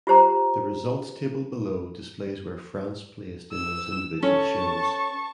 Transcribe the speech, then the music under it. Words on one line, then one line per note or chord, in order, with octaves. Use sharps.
The results table below displays where France placed in those individual shows.
F4 G4 C5 A#5
E6
C#4 A4 A5 C#6